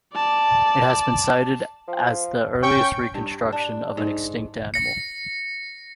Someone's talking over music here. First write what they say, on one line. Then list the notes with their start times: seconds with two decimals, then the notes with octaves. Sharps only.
It has been cited as the earliest reconstruction of an extinct animal.
0.14 D5 A5
1.88 F3
2.63 C#4 G5 C#6
3.14 G2
3.52 D4
3.97 G#2
4.74 A#6 C#7